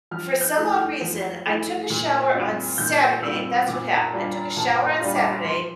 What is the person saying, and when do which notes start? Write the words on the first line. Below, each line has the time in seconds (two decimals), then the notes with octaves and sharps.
for some odd reason, I took a shower on Saturday- that's what happened- I took a shower on Saturday,
0.11 F3 F6
0.41 G6
0.57 A3 E4
0.71 F6
1.01 F3
1.46 A3 E4
1.90 A#2
2.34 G3 C4 F4
2.78 A#2 G6
3.23 G3 C4 F4 E6
3.68 A#2 D6
3.91 A5
3.97 A#5
4.12 G3 D4 F4
4.57 A#2 A5
4.86 C6
5.00 G3 D4 F4
5.15 D6
5.45 F3 C6